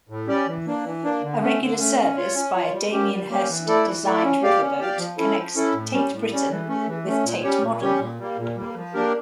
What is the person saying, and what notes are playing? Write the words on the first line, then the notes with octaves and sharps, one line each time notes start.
A regular service by a Damien Hirst-designed riverboat connects Tate Britain with Tate Modern.
A2
G3 C#4 G4 D5
E3
A#3 D4
E3
A#3 D4
D3
A3 C#4
D3
A3 C#4
C#4
F4 C#5
C#4
F4 C#5
G3
A#3 C#4 G4
G3
A#3 C#4 G4
E3
A3 E4 A4 D5
E3
A3 E4 A4 D5
C#4
G4 D5 F5
C#4
G4 D5 F5
F3
C#4 E4 A4
F3
C#4 E4 A4
A2
G3 C#4
A2
G3 C#4
E3
A3 C#4
E3
A3 C#4
A#2
G3 C#4 G4 C#5
A#2
G3 C#4 G4 C#5
A#2
G3 A#3
A#2
G3 A#3
F3
A#3 D4 G4 A#4